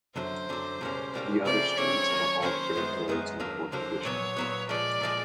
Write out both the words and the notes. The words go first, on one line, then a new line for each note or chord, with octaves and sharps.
The other streets are all dirt roads in poor condition.
F#2 D3 F#3 C5
F#2 D3 F#3
C#2 B2 G3 A#3 C#4
C#2 B2 G3 A#3 C#4
C#2 C#3 F3 A3 C4 D5
C#2 C#3 F3 A3 C4 C#5
D#3 F#3 A#3 C#4
D#3 F#3 A#3 C#4 C5
F#2 D#3 G#3 B3
F#2 D#3 G#3 B3
D#2 D3 F#3 A#3
D#2 D3 F#3 A#3 C5
A#2 F#3 B3 C#5
A#2 F#3 B3
A#2 F3 G#3 D5
A#2 F3 G#3